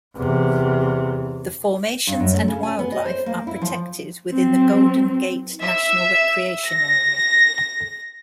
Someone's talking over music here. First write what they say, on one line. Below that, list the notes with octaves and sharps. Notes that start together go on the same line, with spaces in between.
The formations and wildlife are protected within the Golden Gate National Recreation Area.
E2 C3
G2
F#2
A3
C#3
G#5
B3
D#5
C5
A#3
E4
F3
F#3 C4
E5
A#6